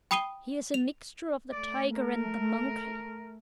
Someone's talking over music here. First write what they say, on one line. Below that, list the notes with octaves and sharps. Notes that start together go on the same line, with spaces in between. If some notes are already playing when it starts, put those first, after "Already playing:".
He is a mixture of the tiger and the monkey.
G5 B5 D#6 C7 D#7 G7
F7
A3 D5
A#4